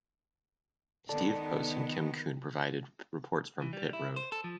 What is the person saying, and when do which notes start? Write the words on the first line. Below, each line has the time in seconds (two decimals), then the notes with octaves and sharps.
Steve Post and Kim Coon provided reports from pit road.
1.09 D#3 B3 A4 D5 A5
3.62 E3
3.73 G3
3.93 E4
4.16 C5
4.32 A4
4.44 F3